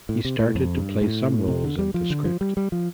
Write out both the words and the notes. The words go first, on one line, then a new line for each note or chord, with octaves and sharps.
He started to play some roles in the script.
A2
C3
A2
F2
G2
A2
C3
D3
G3
F3
D3
F3
G3
G3
F3